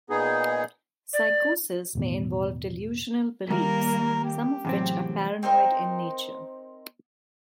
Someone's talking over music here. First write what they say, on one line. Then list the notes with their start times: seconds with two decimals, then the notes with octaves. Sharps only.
Psychosis may involve delusional beliefs, some of which are paranoid in nature.
0.10 A#2 B3 D#4 G#4
1.13 D5
1.95 E1 A2 D#3 B3
3.50 D#2 G3 A#3 A#4
4.24 G4
4.65 E2 A2 C3 F#3 C4
5.43 C4 D#4 A#4 C5